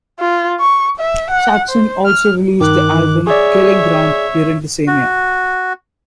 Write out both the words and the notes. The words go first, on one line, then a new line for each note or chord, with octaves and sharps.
Saxon also released the album "Killing Ground" during the same year.
F4
C#6
E5
F#5
C5
F6
G2 D#3 D6 F#6
G#4 C#5 D5 E5
F#4